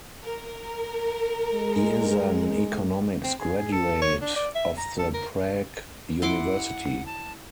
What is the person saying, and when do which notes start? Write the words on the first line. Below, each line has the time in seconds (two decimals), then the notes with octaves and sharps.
He is an economics graduate of the Prague University.
0.22 A#4
1.53 G#3
3.24 C4
3.41 G#4
3.57 G#4
3.72 A4
4.02 C#5
4.22 D4
4.36 D5
4.55 E5
4.78 A#5
4.99 A4
5.14 A#4
6.22 E4 F#5 C6 D6
7.06 A5